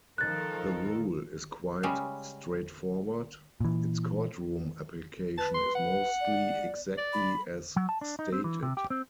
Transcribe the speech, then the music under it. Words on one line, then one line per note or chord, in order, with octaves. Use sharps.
The rule is quite straightforward; its court room application is mostly exactly as stated.
D#3 F3 A4 A#4 F#6 A6
C#3 G3 G#3 C#4
A#2 E3
B4 A5
C6
F#5
D5
D5
B5
F#3
A5
D4
D#4
C4
E3
C3
G4
C4